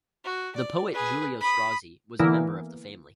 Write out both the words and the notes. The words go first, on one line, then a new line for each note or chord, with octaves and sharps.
The poet Giulio Strozzi was a member of the family.
F#4
D5
G#4 B4
B5 D#6
D3 E3 A#3 B3 E4 A#4